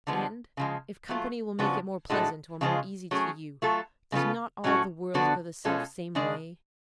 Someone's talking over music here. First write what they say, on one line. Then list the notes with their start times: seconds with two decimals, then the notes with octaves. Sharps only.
And, if company will make it more pleasant or more easy to you, does not all the world go the self-same way?
0.07 D3 F3 G#3 B3
0.57 C#3 F3 G#3
1.09 F#3 A3 F4
1.59 C#3 F3 B3 D4 F#4
2.10 A2 G#3 D4 F#4 A4
2.61 C#3 F3 G#3 C#4 F4
3.11 F#3 A3 C#4 G#4
3.62 F#3 A3 F4 A4
4.12 C#3 G#3 B3 F4 A4
4.64 A2 F#3 C#4 F#4 A4
5.14 D3 F3 B3 D4 F#4
5.65 B2 G#3 C#4 F4 A4
6.15 C#3 G#3 D4 G#4